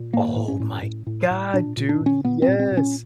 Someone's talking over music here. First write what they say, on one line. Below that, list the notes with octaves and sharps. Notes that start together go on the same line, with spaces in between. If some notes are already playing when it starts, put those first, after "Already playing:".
Oh, my god, dude, yes!
Already playing: A#2
A2 A#3
A2
C#4
A2
A2
A2
A2
A#2 D4
A#2
D4
A#2
C#4
A#2 B3
C4
A#2
C4
A#2
C#4